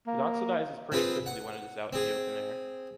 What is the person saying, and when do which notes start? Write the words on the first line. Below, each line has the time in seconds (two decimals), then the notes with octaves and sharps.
It oxidizes pretty quickly when it is out in the open air.
0.07 A#3
0.92 C4 F4 G#4 B4
1.26 F#5
1.93 C4 G#4